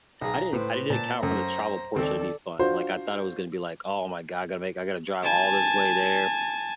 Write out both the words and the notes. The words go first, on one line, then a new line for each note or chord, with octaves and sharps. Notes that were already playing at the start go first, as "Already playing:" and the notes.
I didn't I didn't account for the travel portion to be fun. Like I thought it was gonna be like, "Oh my God, I gotta make I gotta drive all this way there.
B1 G#4 A#5
A2 B4 C5
A#2 A5
F#2 A3 C5 A#5
D#2 C4 A4 D5
D4 F4 F#4 C5
G#5 A5